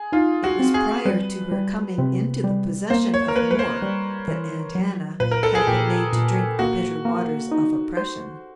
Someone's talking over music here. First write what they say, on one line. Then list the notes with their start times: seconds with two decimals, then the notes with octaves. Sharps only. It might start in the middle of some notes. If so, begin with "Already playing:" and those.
It was prior to her coming into the possession of Moore that Aunt Hannah had been made to drink the bitter waters of oppression.
Already playing: G#4
0.12 D#4 F4
0.44 F#4
0.59 C4
0.74 G#4
1.05 G3 B4
1.52 G3
1.98 C3
2.44 G3
2.90 A#3 C5
3.14 C#5
3.28 A#4
3.36 A#3 B4
3.51 B4
3.59 C5
3.82 G3
4.28 E3
4.75 F#3
5.20 A#2 B4
5.31 A#4
5.43 A4
5.55 G#4
5.67 A#2 G4
6.13 A#2
6.59 A#3 F#4
7.05 A#3
7.51 D#4
7.97 C5